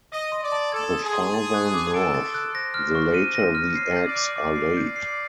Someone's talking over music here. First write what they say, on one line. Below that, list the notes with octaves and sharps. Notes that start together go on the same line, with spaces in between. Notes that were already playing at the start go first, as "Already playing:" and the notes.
The farther north, the later the eggs are laid.
D#5 D#6
C6
D5
A5
A4 G#6
D#6
G#4
C6
A6
F#6
D6
A4 D7
A6
F#6
C5 A#6
F6
C#6
D#7
A#6
F6
C#5 C7
G6
D5
D6
D5 D6
C7
G6
C7